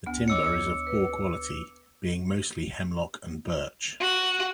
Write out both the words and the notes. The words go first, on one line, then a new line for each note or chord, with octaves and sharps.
The Timber is of poor quality, being mostly Hemlock and Birch.
D2 B3
C#5 D#5 D6 E6 C#7
B4
F#4